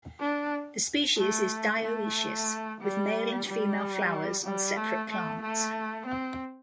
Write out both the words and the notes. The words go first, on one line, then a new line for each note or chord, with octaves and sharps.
The species is dioecious, with male and female flowers on separate plants.
D4
A3
A3
G3
G3
G3
A3
A3
A3
C4